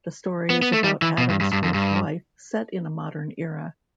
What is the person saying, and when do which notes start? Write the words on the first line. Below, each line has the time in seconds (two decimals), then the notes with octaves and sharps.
The story is about Adam's first wife, set in a modern era.
0.50 B3
0.62 B3
0.73 A3
0.84 G3
1.02 E3
1.18 B2
1.30 G2
1.41 G2
1.53 G2
1.64 F2
1.74 G2